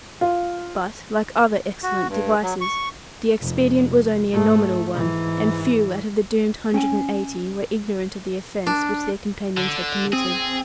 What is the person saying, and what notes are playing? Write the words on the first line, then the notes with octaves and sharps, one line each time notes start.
But, like other excellent devices, the expedient was only a nominal one, and few out of the doomed hundred and eighty were ignorant of the offence which their companions had committed.
F4
F#4
G2
F#3
C#6
F1
G#2 A3
G#2 E3
C#4 G5 G#5
D4
D3
C4 G#4